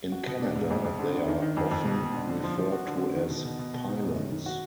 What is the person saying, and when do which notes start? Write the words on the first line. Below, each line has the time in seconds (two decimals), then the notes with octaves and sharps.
In Canada they are often referred to as pylons.
0.12 F#4
0.27 B2
0.41 D4
0.55 G#2
0.70 F2
0.84 F2
0.99 D3
1.14 D3
1.28 D#3
1.42 D#3
1.57 F2
1.71 F2
1.85 B2
2.00 B2
2.14 D3
2.29 D3
2.43 F3
2.58 F3
2.72 F#4
2.87 D3
3.01 F#4
3.16 D#3
3.30 B2
3.45 B2
3.59 B2
3.74 B2
3.88 D#4
4.02 F#2
4.17 D#3
4.31 D#3
4.46 F#4